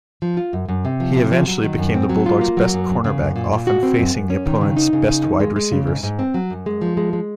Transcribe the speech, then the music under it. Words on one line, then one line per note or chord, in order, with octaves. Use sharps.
He eventually became the Bulldogs' best cornerback, often facing the opponents' best wide receivers.
F3
F4
F#2
F#2
C3
F3
C3
F3
F#3
D#3
F#2
C4
F#3
F4
A#3
F#3
F#2
F#2
C#3
F#2
A#2
A#2
F#4
C4
F#2
F#2
C#4
D#3
C#3
D#4
C#3
D#4
D#2
G#3
G#3
C#3
G#2
G#2
C4
F#3
F#2
G#3
F3
G#3
G#3